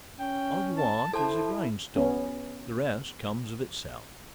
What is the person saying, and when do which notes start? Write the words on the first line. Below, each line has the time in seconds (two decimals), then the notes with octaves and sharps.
All you want is a grindstone: the rest comes of itself.
0.20 C#4 G5
0.77 A5
1.13 E4 A4 C5 A5
1.96 B3 C#4